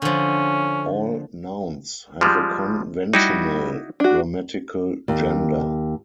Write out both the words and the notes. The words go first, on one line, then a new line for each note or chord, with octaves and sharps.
All nouns have a conventional grammatical gender.
D3 F3 C#4
F3 G3 G#3
G3 D#4 E4 F#4
D4 F#4
D#2